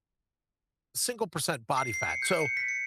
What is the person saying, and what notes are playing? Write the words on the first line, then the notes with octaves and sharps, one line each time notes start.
single percent body fat. So,
C7
C7
C#7
G6
C#7
B6
C#7